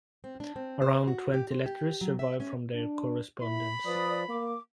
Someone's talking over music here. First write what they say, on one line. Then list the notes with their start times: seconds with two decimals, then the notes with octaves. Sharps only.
Around twenty letters survive from their correspondence.
0.24 C4
0.40 D4
0.56 C4
0.82 C5
1.08 F#4
1.34 G4
1.51 C5
1.66 G4
2.01 F#3
2.19 E5
2.40 C#4
2.75 D4
3.41 E4 B5
3.85 F3 B4 D5 D#6
4.29 A#3 D6